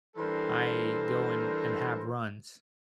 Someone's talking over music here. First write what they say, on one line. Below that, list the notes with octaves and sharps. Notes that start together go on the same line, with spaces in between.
I go and and have runs,
E3 G3 D4 A4 A#4 C5